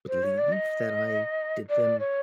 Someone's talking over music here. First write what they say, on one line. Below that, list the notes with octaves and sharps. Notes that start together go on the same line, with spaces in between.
believe that I did them
C5
C#5
D5
D#5
D5
C#5